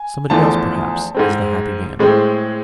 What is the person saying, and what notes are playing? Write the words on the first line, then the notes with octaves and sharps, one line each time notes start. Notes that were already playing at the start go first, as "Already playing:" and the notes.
"Somebody else, perhaps, is the happy man?"
Already playing: G#5
E2 D3 F3 A3 A5
G#2 G#3 C4
A2 G#3 C4